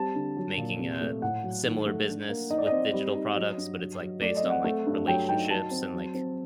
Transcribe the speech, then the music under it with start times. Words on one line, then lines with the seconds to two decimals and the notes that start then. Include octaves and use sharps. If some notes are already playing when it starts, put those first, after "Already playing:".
making a similar business with digital products, but it's, like, based on, like, relationships and, like,
Already playing: G3 C4 A5
0.15 D3
0.37 F#3
0.58 A#2
0.79 C3
1.01 A3
1.22 A2 F#5
1.44 F#3
1.65 D#3
1.86 A3
2.08 D4
2.29 A#3
2.50 D#4 D#5
2.58 D5
2.67 C4 D#5
2.93 G3
3.15 D#4
3.36 F#3
3.58 G2
3.79 F#3
4.01 F#3
4.22 A3 D5
4.37 D#5
4.43 C4
4.50 F#5
4.64 A3
4.86 G2
5.07 F#3 G5
5.29 D#4 G5
5.50 F#3 A5
5.71 C4
5.94 F#3
6.14 C4